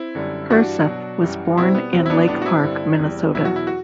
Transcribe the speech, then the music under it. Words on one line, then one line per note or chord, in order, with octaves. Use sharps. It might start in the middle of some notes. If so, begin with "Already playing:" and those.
Herseth was born in Lake Park, Minnesota.
Already playing: C4 E4
F#2 D3 G3
G2 E3 G3 D4 F#4
B2 F#3
F#2 E3 G3
B2 G3 C4 E4
B3
E2 B2 F#3 C4
E4
B3 D4
A2 G3 B3 D4
F#4
C4 E4
G2 D3 G3
E2 C3 G3
E2 B2 F#3 E4
F#4
E4
F#4